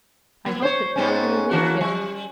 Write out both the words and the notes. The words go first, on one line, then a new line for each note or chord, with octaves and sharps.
I hope that now you will leave him.
A#3
C5 C#5
G#2 B3 C#4
E3 A#3 F#4
G3